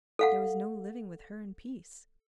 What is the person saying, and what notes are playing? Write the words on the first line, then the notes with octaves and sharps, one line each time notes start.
There was no living with her in peace.
A4 F5 F#5